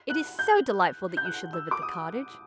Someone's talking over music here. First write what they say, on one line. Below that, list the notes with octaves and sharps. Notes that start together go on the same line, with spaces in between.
It is so delightful that you should live at the cottage!
F#6
G6
G6
F#6
E6
D6
D#6